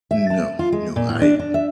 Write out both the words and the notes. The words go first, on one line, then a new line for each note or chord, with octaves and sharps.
No, no, I
E5
A5
F4
G#3
A#2
A2
D4
D4
E5